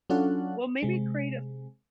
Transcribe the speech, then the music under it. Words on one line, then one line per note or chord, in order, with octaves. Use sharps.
Well, maybe create a
F#3 C#4 D4 F4 A4 F#5
C3 G#3